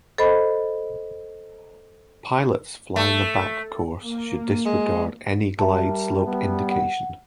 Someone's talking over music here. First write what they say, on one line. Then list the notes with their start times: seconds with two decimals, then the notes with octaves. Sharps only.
Pilots flying a back course should disregard any glide slope indication.
0.18 A4 C5 D#5 B5
2.96 A3
4.02 A#3
4.66 G#3
5.59 G3 A#4 E5 A5
6.25 G3 B3
6.71 F#5